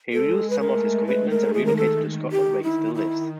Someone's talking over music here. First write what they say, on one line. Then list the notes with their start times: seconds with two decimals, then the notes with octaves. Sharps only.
He reduced some of his commitments and relocated to Scotland where he still lives.
0.13 G#3 A4
0.50 B4
0.60 A3 A#4
1.07 A3 B4
1.30 A#4
1.54 D#3 G#4
1.65 A#4
1.77 A4
2.01 D#3
2.32 G4
2.63 E4
2.95 E4